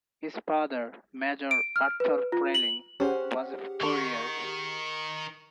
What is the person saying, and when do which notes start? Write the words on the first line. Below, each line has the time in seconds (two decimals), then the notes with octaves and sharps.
His father, Major Arthur Frayling, was a furrier.
1.51 D7
1.76 F6
2.00 B4
2.32 F4
2.54 F#7
3.00 C#4 G4 G#4 C5 F#5
3.82 D#3 C#6